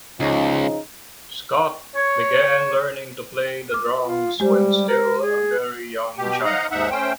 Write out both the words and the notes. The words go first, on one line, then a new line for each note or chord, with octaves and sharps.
Scott began learning to play the drums when still a very young child.
C#2 C#3 F3 D#4
C#5
D6 F6
F4
G3 G#3 G4 C5
A#4
G#4
B2 G4
D#4 D#5 F5 F#5 A#5
D#2 G#2 D#4 E5 F#5
A3 C#4 C5 G5